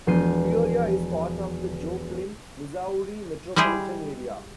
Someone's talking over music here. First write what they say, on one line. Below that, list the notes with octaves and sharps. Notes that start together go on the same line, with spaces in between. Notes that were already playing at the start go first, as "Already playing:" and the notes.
Peoria is part of the Joplin, Missouri metropolitan area.
E1 F3 B3 G6 C7 D#7
G3 G#3 E4 G4 G#4